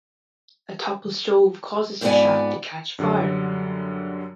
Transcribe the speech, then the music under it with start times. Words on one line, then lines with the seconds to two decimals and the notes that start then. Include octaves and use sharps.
A toppled stove causes the shack to catch fire.
2.01 F2 G#2 B3 B4 D5 G#5
2.99 F#2 D3 F#3 G3